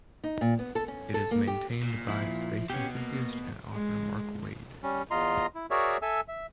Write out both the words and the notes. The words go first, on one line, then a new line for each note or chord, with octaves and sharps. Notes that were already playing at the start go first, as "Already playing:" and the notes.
It is maintained by space enthusiast and author Mark Wade.
D#4
A#2
B3
A4
C#4
A4
A#3
G4
A#2
F3 E4
B2 B3 C#4 G4
A#3
G#3
G3 C#4
E2 F4 D#5 A#5 C6
E4
F#4 G#4 A#4 C#5 D5 E5
A4 E5 G#5 E6
E5